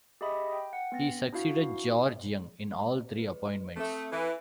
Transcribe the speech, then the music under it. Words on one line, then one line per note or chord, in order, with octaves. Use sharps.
He succeeded George Young in all three appointments.
G4 G#4 D#5 E5 B5 D#6
G5
F#5
B3 C4 A6 A#6
D4 E4 F#4 F5
B4
A3 C4 A4
E3